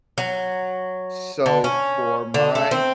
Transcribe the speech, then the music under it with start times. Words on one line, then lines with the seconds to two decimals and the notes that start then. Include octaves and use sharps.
so for my,
0.18 F#3
1.46 D3
1.64 C#4
2.34 D3
2.55 A3
2.71 C4